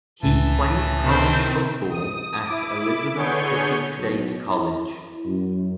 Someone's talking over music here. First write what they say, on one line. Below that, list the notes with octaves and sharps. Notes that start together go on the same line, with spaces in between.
He played college football at Elizabeth City State College.
C#2 A2 E3 A5
C3 D#3 C4
D#6
E4 D6
D3 B3 G#4 C#5 C#6 G6
B1
E4
F#2